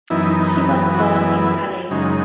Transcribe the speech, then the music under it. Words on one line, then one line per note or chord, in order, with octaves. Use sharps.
He was born in Palermo.
F#2 E3 B3 D#4 E4
D#4
F#4
E4
F#2 C#3 G#3 D#4